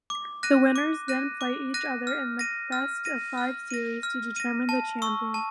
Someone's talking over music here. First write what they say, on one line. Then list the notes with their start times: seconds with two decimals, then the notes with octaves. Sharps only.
The winners then play each other in a best-of-five series to determine the champion.
0.10 D6
0.43 F#6 A#6 D#7
0.76 D6
1.08 F#6 A#6 D#7
1.41 D6
1.74 F#6 A#6 D#7
2.07 F6
2.39 A#6 D#7
2.72 F6
3.05 A#6 D#7
3.38 F6
3.70 A#6 D#7
4.03 F6
4.36 A#6 D#7
4.69 A5
5.02 C#6 E6
5.34 A5